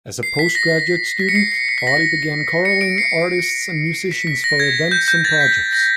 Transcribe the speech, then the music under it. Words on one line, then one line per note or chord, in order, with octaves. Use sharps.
As a postgraduate student, Body began corralling artists and musicians for events and projects.
C7
B6
A#6
B6
C#7
C7
C7
C7
B6
A#6
B6
C#7
D7
C7
B6
B6
A#6
G#6
G6
G6
A6
B6
A#6